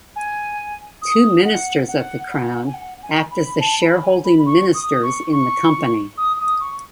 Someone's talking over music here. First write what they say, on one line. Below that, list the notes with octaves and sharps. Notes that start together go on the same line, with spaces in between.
Two Ministers of the Crown act as the shareholding ministers in the company.
G#5
D#6
F#5
F#5
F#5
G#5
F#5
G#5
B5
A5
B5
G#5
B5
C#6
D#6
C#6
C#6
D#6
D#6
C#6